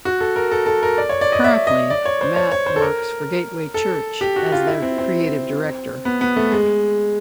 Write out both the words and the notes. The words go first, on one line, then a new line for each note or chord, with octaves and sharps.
Currently, Matt works for Gateway Church as their Creative Director.
F#4
A4
A#4
A4
A4
A#4
D5
C#5
D5
D#5
E5
D#5
D5
C#5
C5
C#5
C#5
C5
A4
A#4
A4
G4
F#4
F4
E4
C4
C4
B3
B3
A3
G#3